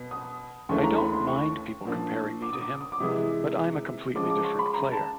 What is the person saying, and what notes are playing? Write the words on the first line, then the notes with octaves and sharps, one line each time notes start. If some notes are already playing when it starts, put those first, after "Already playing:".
I don't mind people comparing me to him but I'm a completely different player.
Already playing: B2 B3
D#6
D#2 C#3 E3 A3 D4 C#6
A#5
B5
C6
C#6
A#2 F3 A#3 D4
D6
D#6
D6
D#6
D6
C3 E3 G#3 D#6
C#3 F3 G#3 D6
D6
C#6
B5
A#5
A5